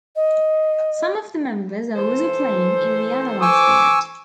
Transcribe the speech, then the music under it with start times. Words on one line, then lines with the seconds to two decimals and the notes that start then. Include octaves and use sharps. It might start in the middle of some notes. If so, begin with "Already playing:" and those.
Some of the members are also playing in The Analogs band.
0.16 D#5
1.96 E3 A4 C5
3.42 G#5 C#6 D6 E6